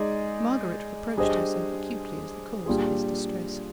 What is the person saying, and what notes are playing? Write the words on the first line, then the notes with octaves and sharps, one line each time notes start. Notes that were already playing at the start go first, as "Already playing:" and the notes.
Margaret reproached herself acutely as the cause of his distress.
Already playing: G#3 D#4 G#4 D5
G3 D4 G#4 C5 D#5
A#2 G3 D4 F4 G#4